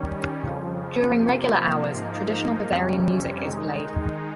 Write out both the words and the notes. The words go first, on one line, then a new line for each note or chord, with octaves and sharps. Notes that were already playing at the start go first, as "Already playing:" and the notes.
During regular hours traditional Bavarian music is played.
Already playing: D#3 G3 C#4
F2 C#3 F3
C3 F3 A#3
G#2 F3 A#3 D#4
F2 C3 G3 C#4
D#3 G#3 D#4